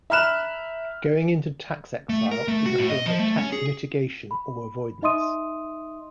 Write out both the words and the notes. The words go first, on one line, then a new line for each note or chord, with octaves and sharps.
Going into tax exile is a form of tax mitigation or avoidance.
E5 A#5 B5 F6 F#6 E7
A3
A#4
A3
F#4
A2
D#5
F3
A3
C#4
G#4
B5
D#4 D#5 E5 C6 D#6 D#7